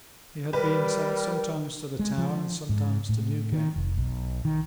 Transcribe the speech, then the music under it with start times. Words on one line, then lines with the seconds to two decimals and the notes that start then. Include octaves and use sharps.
He had been sent sometimes to the Tower, and sometimes to Newgate.
0.53 G3 A#4 B4
1.99 G#3
2.18 F3
2.69 G#2
3.09 A2
3.52 D#3
3.76 F1
3.97 B1
4.45 D#3